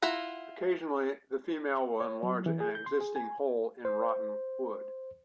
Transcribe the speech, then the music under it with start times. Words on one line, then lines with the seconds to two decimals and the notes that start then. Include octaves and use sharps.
Occasionally the female will enlarge an existing hole in rotten wood.
0.02 E4 F4 F#5 A#5
2.01 C#5
2.23 F#3
2.46 E3
2.60 G#4
2.75 G6
2.86 C6
3.01 G#4
3.16 G#5
3.85 C5